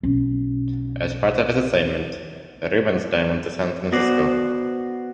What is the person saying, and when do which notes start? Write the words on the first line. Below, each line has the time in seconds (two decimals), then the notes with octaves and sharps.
As part of this assignment, Rubinstein went to San Francisco.
0.03 B1 C#4
3.92 B3 F#4 C5 D5